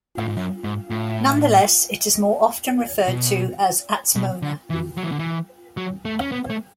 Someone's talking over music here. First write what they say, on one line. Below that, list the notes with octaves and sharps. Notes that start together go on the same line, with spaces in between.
Nonetheless, it is more often referred to as Atzmona.
A2
G#2
F#2
G#2
A2
B2
B2
D3
E3
F#3
E3
D3
E3
F#3
A3
C#4
B3
A3